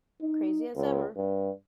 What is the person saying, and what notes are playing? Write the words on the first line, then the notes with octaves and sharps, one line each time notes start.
Crazy as ever!
D#4
C#2
G2